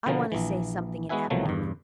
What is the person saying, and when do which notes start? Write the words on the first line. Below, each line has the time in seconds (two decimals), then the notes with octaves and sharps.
I want to say something in that moment.
0.06 B2 D3 F3 B3 A#4
0.32 A#1 E3
1.09 G#3 B3 F#4 B4 E5 G#5
1.30 C2 B2 D#3 F3 F#3 A3
1.46 E2 G2